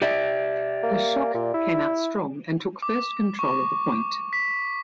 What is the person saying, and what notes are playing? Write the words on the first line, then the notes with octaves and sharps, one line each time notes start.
The Shock came out strong and took first control of the point.
G4 D5 E5
A#3
A#2
E4
D6
C#6
B6